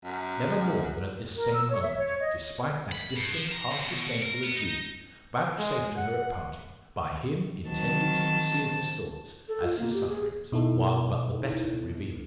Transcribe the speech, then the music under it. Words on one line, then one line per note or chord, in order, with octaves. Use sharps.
Never more than at this same moment, despite that distant, half disdainful adieu, vouchsafed to her at parting; by him intended to conceal his thoughts, as his sufferings, while but the better revealing them.
F#2
A#4
E6
C#5
E5
C#5
D#5
B5
G2
F3
A#5
C3
B2
A#4
B3
D#4
G#3
F#5
D#3 F#3 C4 A5
A4
F4
A#3
G4
G#4
B2 D#4 E4 A4